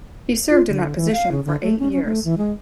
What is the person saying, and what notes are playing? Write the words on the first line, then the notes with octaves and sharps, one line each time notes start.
He served in that position for eight years.
F4
D3
E3
F5
C#3
D3
A3
C#4
C#4
A3
E3
G#3